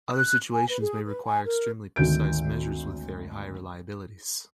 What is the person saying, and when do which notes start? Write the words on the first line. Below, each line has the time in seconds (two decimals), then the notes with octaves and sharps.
Other situations may require extremely precise measures with very high reliabilities.
0.13 F#6
0.51 G#5
0.68 B4
0.81 G#4
1.06 B4
1.26 G#5
1.46 A#4
1.96 G#1 D2 D#3 G6 D7